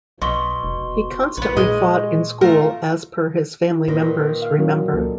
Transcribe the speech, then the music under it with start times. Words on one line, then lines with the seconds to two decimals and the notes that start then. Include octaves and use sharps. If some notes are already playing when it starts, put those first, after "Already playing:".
He constantly fought in school as per his family members remember.
0.22 B1 B2 C6 C#6 G7
0.63 F1
1.37 A#1 B3 B4
1.57 A#2 G#3 D#5
2.41 A3 F4 A#4
3.70 E4
3.88 A#2 D#3 B4 A#6
4.42 F5 F6
4.58 F#3 C#4 F#4
4.93 C#2 A#3 A4